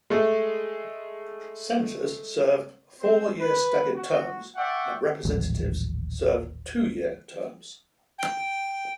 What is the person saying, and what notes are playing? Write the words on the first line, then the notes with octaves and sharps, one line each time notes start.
Senators serve four-year staggered terms and representatives serve two-year terms.
G#3 A3
C4 C5
B4
F#4
D5 E5 F#5 G5 C#6
D#1 A1 F3 G#3
G5